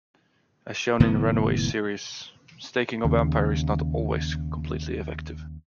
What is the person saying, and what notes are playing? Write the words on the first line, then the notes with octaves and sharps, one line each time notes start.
As shown in the Runaways series, staking a Vampire is not always completely effective.
F#1 A2 D#3 B3
D#2 C#3